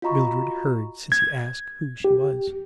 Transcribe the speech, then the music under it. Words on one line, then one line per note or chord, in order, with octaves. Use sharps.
Mildred heard Cissy ask who she was.
F4 F#4 D#5 A#5 B5 C#6
G#6
G4